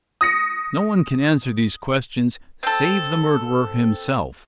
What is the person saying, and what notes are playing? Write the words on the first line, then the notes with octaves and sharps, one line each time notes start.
No one can answer these questions, save the murderer himself.
D#6 A#6 C#7
C4 A4